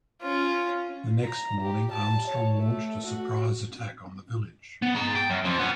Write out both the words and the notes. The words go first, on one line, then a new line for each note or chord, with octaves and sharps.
The next morning Armstrong launched a surprise attack on the village.
C#4 F4
A#5
G4
A5
C#5
A3
F#4
B3
G#4 A#5
G5
F#2
F2 F3
B3 C#4